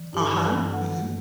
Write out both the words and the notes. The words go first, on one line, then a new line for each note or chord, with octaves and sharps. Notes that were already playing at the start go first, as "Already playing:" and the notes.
Uh-huh, mhm.
Already playing: E3
G2 G4
A4
E3 B4
A4
G2
E3 F#5
G2